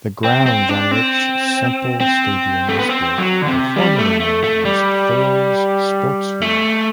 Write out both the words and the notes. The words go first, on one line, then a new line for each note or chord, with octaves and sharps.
The grounds on which Semple Stadium is built were formerly known as Thurles Sportsfield.
C4
C4
D4
C4
C4
A3
B3
C4
F#3
D3
C3
G3
A3
A3
A3
G3
A3